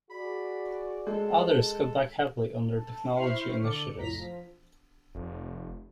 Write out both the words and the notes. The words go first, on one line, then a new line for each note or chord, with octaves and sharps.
Others cut back heavily on their technology initiatives.
F#4 G#4 D5 B5
G#3 A4
A4
E4 C5 B5 C#6 F6 C7
D3 A4 D5 C#7
C2 F2 A2 A#5 B6
F3
F1